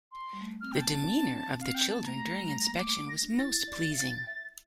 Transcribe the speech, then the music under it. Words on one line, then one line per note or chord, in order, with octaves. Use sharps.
The demeanor of the children during inspection was most pleasing.
C6
G3
A3
C4 F6
A#3 G5
A5
C4
C4
D4
C4 F5
C4 G5
A#3 A5
A3 A#5
A3
G3
A3
A#3
A3 D6
A#6
D4
D4
E4 A6
D5
E5
F5
E5